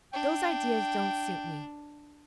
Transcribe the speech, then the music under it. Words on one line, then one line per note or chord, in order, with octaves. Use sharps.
Those ideas don't suit me.
D4 G5